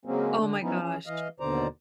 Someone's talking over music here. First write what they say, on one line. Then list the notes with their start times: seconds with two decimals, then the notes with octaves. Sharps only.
Oh my gosh.
0.05 C#3 F#3 G#3 A#3 C4 C#4
0.38 D3 D4
0.62 F3 F#3 B3 C#4 D#4 E4
0.79 F3 C#4 G#4
1.06 E3 D#5 F5
1.40 D#2 B2 D3 C5 D5 A#5